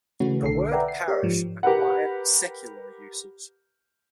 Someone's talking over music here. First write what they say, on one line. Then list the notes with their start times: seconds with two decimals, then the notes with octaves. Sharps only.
The word "parish" acquired a secular usage.
0.20 C#3 E3 A3 C#4 F#4 B4
0.42 B1 D3 A4 C7
0.71 B4 D5 E5 F#5 G5 A#5
0.88 C7
1.08 G4 A#4 C#5 D5
1.23 G#2 F3
1.63 G4 A#4 B4 F#5